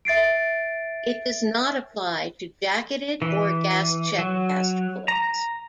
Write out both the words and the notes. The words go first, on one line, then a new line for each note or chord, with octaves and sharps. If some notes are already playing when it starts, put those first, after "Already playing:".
It does not apply to jacketed or gas-check cast bullets.
E5 A6 C7 D7
E3
F#3
A#5